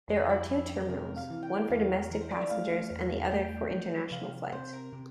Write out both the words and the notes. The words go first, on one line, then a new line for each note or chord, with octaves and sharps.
There are two terminals, one for domestic passengers and the other for international flights.
F2 D4
E4
F2 E4
G4
C3 A#4
F5
E3
G5
E2 F5
E3 A#4
C5
D5
E5
A3 F5
E2
A3 G5
F3
C3 F5
C3 C5
A#4
C3